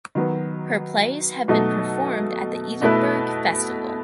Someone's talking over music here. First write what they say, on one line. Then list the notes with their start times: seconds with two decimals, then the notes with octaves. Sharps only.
Her plays have been performed at the Edinburgh Festival.
0.15 D#3 F#3 B3
1.48 B2 F#3 A3 D#4 A4
2.81 B2 A3 E4 B4